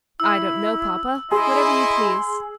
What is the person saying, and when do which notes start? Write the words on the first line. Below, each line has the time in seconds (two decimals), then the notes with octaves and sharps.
"I don't know, papa; whatever you please."
0.20 E4 E6
1.31 E4 G#4 D#5 C6